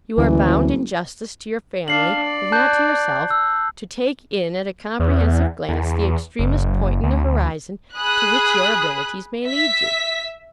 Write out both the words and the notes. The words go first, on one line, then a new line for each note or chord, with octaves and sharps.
You are bound, in justice to your family, if not to yourself, to take in at a comprehensive glance the extremest point in the horizon to which your abilities may lead you.'
F#1 D2 E3
D4 F5 C7 F#7
D5
A5 F#6 G6
E6
E2
E2
F#1
D2
G#4 B5 D#6 F#6
E5 B6